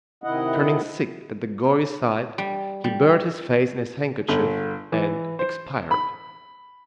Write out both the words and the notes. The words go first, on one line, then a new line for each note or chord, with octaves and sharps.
Turning sick at the gory sight, he buried his face in his handkerchief and expired.
C3 D#3 E4 D#5 F#5
G3
G3
G1
E3
C5
B5